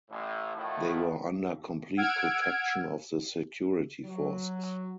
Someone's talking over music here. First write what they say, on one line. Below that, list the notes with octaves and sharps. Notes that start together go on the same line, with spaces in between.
They were under complete protection of the security forces.
A1 A2
A2 D#3 F3 A3 E4 F#4
F#5 E6 F6 G#6 D7
F#3